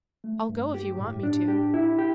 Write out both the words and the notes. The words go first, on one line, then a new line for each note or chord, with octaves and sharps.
"I'll go if you want me to."
A3
G2
G4
A2
D4
G4
E4
G4